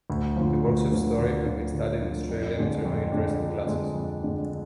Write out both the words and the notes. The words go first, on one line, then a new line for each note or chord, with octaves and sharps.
The works of Story have been studied in Australian and German university classes.
D2
D3 F3
D2
D3 F3
D2
D3 F3
D2
D3 F3
F2
D3 G#3 D4
F2
D3 G#3 D4
F2
D3 G#3 D4
F2
D3 G#3 D4